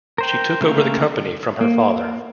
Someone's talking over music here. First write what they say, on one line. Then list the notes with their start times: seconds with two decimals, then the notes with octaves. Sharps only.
She took over the company from her father.
0.18 A#4 C5 G5
0.61 C#3 A3 A#3 A#4
1.61 A#3